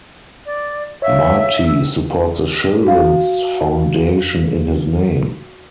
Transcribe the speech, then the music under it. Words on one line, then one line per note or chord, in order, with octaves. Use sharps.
Marte supports a children's foundation in his name.
D5
C#5 E5 F5
E6
F#4 F5